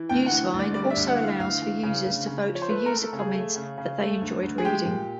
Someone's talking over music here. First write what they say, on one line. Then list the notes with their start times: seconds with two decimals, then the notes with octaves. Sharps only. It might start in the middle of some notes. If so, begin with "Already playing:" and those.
Newsvine also allows for users to vote for user comments that they enjoyed reading.
Already playing: E3
0.09 D2 G5
0.26 E3 F#5
0.54 D2
0.59 D5
0.74 G3 D5
0.90 E5
0.97 D2
1.08 F#5
1.18 E3
1.23 F5
1.39 D2 F5
1.62 E3
1.83 C#3
2.05 D2
2.26 C#3
2.48 F3
2.55 C#5
2.62 C5
2.69 A3 B4
2.86 A#4
2.91 A3
2.97 A#4
3.02 A4
3.13 C#3
3.19 G#4
3.34 A3
3.56 C#3
3.78 C#3
4.00 A3
4.21 D2
4.43 D2
4.58 G#4
4.64 G#3 G4
4.85 A#2